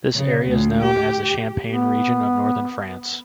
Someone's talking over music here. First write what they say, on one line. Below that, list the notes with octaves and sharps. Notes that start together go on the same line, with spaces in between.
This area is known as the Champagne region of Northern France.
C#3
D2
G4
B3